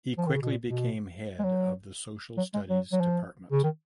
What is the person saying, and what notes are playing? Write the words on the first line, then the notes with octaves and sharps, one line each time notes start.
He quickly became head of the social studies department.
F3
D#3
C#3
B2
A#2
B2
G#3
F#3
F#3
G#3
F#3
F#3
F3
C#3
D#3